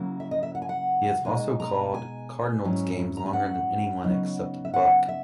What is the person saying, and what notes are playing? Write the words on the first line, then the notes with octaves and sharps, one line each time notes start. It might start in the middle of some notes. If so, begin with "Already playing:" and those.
He has also called Cardinals games longer than anyone except Buck.
Already playing: C#3 F#3 A#3 E4
E5
D#5
E5
F#5
G#5
F#5
B2 G#3 D#4 G#5
A#5
G#5
G#2 F#3 C#4 E4
A#5
G#5
F#5
C#3 F#3 B3 D#4
E5
F#5
E5